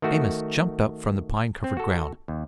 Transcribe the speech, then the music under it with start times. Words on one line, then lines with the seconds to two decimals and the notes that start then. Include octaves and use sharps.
Amos jumped up from the pine-covered ground.
0.02 D#3 A3 F#4
1.64 C4
1.77 F#4 A4
2.28 D#2